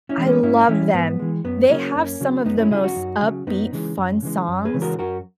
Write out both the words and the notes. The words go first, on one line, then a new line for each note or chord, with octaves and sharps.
I love them. They have some of the most upbeat fun songs,
C#4 E4
E3 G#3
A#3 C#4
G#2 C#4 E4
E3 G#3 C#4 E4
G#2 B3
E3 G#3
F#2 B3
C#3 F#3 A#3 C#4
F#2
C#3 F#3
F#2 B3 D#4
C#4 E4
C#3 F#3 E4 G#4
D#4 F#4
F#2
C#3 F#3
F#2 B3 D#4
C#3 E3 G#3
F#2
C#3 E3 G#3
F#2
G#4 B4
C#3 E3 G#3
F#4 A#4
F#2 F#4 A#4